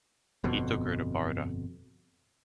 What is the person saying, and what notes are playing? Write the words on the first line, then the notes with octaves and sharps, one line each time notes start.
He took her to Barda.
G1 F2 B2